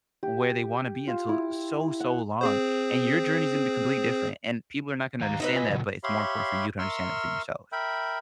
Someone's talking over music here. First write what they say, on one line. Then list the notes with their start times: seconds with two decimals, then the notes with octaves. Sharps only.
where they wanna be until so, so long, and your journey's gonna be completely different, and people are not gonna understand that, but it's more important for you to understand it within yourself.
0.23 G4
1.07 F4
1.29 E4
2.00 F#5
2.41 C4 G#4 C5
5.21 D#3 F5 A#5
5.40 D#4 B4 D#5 E5
5.54 F4 G#5
5.70 A#2 C#3 F#3
6.04 G4 C#5 E5 F5 B5 C6
6.79 A#4 E5 C6 C#6 E6 F6
7.72 A#4 E5 G5 B5